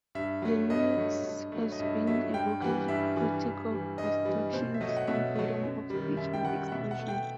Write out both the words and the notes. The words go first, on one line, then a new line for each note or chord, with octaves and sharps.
Lemieux has been a vocal critic of restrictions on freedom of speech and expression.
G2 E5
F#3 A3
G2 D#5
F#3 A3
G2
F#3 A3
D#5
G2 E5
F#3 A3 E5
G2 G5
E3 G3 F#5
G2 E5
E3 G3
G2
E3 G3
G2 D#5
E3 G3
B2 C5
E5
F#3 A3 D#5
F#5
B2 E5
F#3 A3
F#2
D#3 G3
F#2 E5
G5
D#3 G3 F#5
F#5
B2 E5
F#5
A3
G5